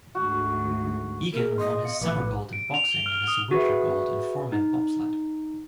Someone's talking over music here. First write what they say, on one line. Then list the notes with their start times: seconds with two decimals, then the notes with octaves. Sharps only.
Eagan won his summer gold in boxing and his winter gold in four-man bobsled.
0.15 D2 G#2 F#4
1.33 A#3 G#4 A#4
1.58 D#5 C6
1.85 B3 F5 C#7
2.01 A#1 A2 B4 D6
2.53 D7
2.74 F7
2.91 G7
3.06 F6
3.27 D#6
3.51 F#4 G#4 B4 E5
4.52 D#4